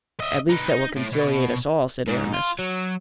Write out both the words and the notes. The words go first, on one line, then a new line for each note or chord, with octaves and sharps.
"At least that will conciliate us all," said Aramis.
D#5 E5
D#4 B4
D#4
A2
B2
G#2
F4
F#3